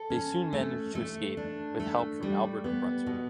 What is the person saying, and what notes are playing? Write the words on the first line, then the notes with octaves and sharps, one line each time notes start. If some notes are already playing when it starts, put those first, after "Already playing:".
They soon managed to escape with help from Albert of Brunswick.
Already playing: A4
C#4
A3
A3
D4
A3
G3
B3
B2